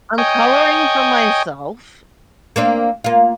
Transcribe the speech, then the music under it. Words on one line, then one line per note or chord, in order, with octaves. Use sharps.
I'm coloring for myself,
C#5 D#5 G5 G#5
A#3 C4 D4
A#3 F4